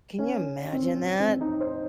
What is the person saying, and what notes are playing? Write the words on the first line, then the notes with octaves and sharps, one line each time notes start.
Can you imagine that?
C#4
C4
C4
D#4
C5